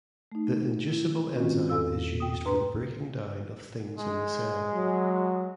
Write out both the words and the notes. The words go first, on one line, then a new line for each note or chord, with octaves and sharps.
The Inducible enzyme is used for the breaking-down of things in the cell.
A3 D#4
E4
D#3 C4 C#4 F4 F#4
E2 G#2 A4 F5 E6
G5 D#6
G#2 D4 B4 A#5 C6
G#3
F#3